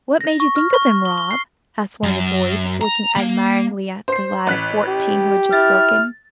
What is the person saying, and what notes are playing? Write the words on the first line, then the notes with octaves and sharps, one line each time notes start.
"What made you think of them, Rob?" asked one of the boys, looking admiringly at the lad of fourteen who had just spoken.
A#6
C#6
F6
C#6
G7
G7
C7
F#2
A#5
A#3
C5 C7
A1 F#6 B6
G4
E4 F6 A6